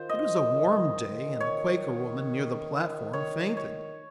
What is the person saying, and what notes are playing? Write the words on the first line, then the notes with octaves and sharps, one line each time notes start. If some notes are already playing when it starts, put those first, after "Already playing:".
It was a warm day and a Quaker woman near the platform fainted.
Already playing: D#3 F4 C5
D#5
D#3
C#5
D#3 C#5
C#5